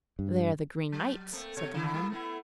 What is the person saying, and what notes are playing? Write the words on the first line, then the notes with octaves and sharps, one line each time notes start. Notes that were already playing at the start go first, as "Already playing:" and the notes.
'They are the Green Knight's,' said the man.
G2
F#3
A3 A#3 C4
B2 C#5
D#3 E4
G3 A#3 E4
A3 B3 E4